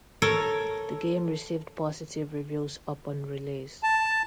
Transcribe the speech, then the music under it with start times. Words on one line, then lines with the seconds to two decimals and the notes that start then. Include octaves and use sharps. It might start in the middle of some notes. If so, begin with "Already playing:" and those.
The game received positive reviews upon release.
0.22 A4 A#4 C#5
3.83 A5